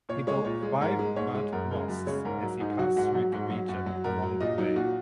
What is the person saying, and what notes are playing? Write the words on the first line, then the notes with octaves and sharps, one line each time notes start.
He built five mud mosques as he passed through the region along the way.
A#2 C#5
G#3 C#5
A#2 C#5
G#3
G#2 A#4
G#3
G#2 C#5
G#3
F#2 A#4
C#3 G#3 A#4
F#2
C#3 G#3 C#5
G#2 A#4
F#3
G#2 D#4
F#3 F#4
G#2 F#4
F#3
G#2 F#4
F#3
F#2 F#4
F#3
F#2 A#4
F#3
A#2 D#5
F#3 D#4
A#2 F#4